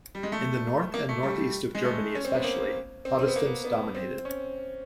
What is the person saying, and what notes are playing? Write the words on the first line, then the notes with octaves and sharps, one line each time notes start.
In the north and northeast of Germany especially, Protestants dominated.
G3
G#3
A3
A#3
A3
G3
G#3
A3
C#4
C4
B3
A#3
C4
C4
B3
A#3
B3
B3
C4
C#4